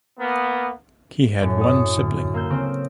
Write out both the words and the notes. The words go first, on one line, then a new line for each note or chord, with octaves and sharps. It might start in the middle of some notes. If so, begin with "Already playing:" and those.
He had one sibling.
A#3 B3
F#2 A2
C#5 D#6
D2
A#3 E6 G6
C#3 C4